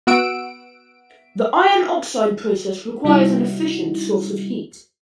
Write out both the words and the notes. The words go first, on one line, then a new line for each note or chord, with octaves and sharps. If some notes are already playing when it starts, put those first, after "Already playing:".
The iron oxide process requires an efficient source of heat.
B3 F#4 F#5 E6 D7
C3 G3 C#4 D#4 E4 F#4